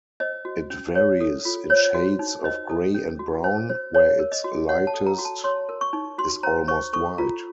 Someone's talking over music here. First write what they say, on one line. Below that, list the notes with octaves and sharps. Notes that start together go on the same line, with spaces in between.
It varies in shades of grey and brown, where its lightest is almost white.
C5 D#5
F#4
C#4
C#5
A4
F4
C5 C#5
F#4
D#4
C5 D#5
A4
C#4
F#4
C5
C5
C#5
A#4
D#5
F#4
C#5 F#5
A5
A4
A#5
F#4
A5
C#5 C6
A#4
C#6
D#4
F#4 C6
C5 A#5
C5 C#6
A4 C#6
F4 A#5